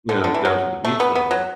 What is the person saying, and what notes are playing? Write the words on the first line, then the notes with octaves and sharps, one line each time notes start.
you know, down to the beach level,
D3
D3
E3
F#3
A3
B3
B3
F#3